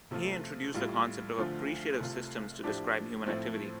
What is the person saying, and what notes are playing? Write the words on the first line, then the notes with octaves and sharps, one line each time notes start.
He introduced the concept of appreciative systems to describe human activity.
C3 F3 A3 F4
A2 G3 F4
D2 D3 F3 A3 F4
C2 C3 A3 F4
A2 F3 D4 G4
A2 F3 A3 C4